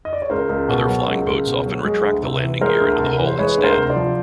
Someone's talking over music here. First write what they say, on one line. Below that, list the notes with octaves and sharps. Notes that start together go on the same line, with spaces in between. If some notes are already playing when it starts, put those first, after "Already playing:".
Other flying boats often retract the landing gear into the hull instead.
D#5
D5
C#5
C#2 A#4 C5
C#2
B2
F#3
C#2
C#2
B2
F#3
G#3
D2
C3
E3
G#3 A#4 C5
D2
C3 A4
A#4
E3 B4
C5
G#3 B4 C#5
D2
A#4 C5
C3
C5 D5
F3